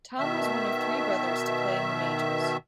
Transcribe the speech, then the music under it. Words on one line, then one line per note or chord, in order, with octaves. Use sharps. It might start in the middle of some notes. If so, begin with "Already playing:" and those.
Tom was one of three brothers to play in the Majors.
B2 D#3 E5